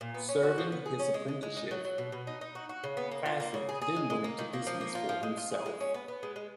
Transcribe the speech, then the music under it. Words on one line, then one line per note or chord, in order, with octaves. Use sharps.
Serving his apprenticeship, Fassett then went into business for himself.
A#2
B3
C#4
F#4
F3
B3
G#4
C#4
G#3
G#3
G#3
D#4
F#3
F#3
B2
B2
D#4
D#4
F#4
F#4
C#3
B3
A#3
F4
A#3
C#3
G#4
G#4
G#3
G#3
A#3
D#3
A#3
F3
A#3
F4
F3
G#3
F4
G#4
G#3
C#4
B3
B3
G#3
G#3